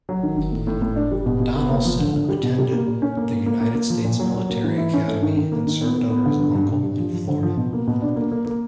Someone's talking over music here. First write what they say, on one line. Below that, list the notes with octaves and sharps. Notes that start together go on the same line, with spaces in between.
Donelson attended the United States Military Academy and served under his uncle in Florida.
F#3
D#3
D#3
A2
A2
A2
D4
G3
B2
B2
B3
A#3
F3
D3
D3
G3
B2
G3
A#3
A#2
C#4
A#3
A#3
A#3
A#3
A#3
F3
A#2
F#3
F#3
A#3
E3
E4
C#4
A3
D#3
D#3
A#3
D#3
B3
B3
B3
D3
G2
G2
G2
G2
F3
F3
D3
F3
B2
A#3
B2
D4
A#3
A#3
A#3